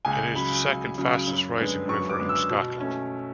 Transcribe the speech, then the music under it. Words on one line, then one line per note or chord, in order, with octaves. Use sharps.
It is the second-fastest rising river in Scotland.
C#2 G#5
C#3 F#3 B5
C#2
C#3 F#3
F#2
D3 G#3 B3
F#2 C#6
D6
D3 G#3 B3
E6
B2
A3 C#4